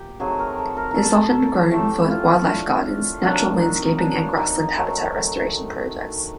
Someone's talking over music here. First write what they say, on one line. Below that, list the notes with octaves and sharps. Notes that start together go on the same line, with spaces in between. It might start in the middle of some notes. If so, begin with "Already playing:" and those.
It is often grown for wildlife gardens, natural landscaping, and grassland habitat restoration projects.
Already playing: A#2 G4
C3 D#3 F#3 A3 G#4
A#4
A4
A#4
A4 A#4
A2 E3 A3 G4
F4
D4
C3 D#3 F#3 A#3 D4
D#4
D4
D#4
D#3 F#3 A3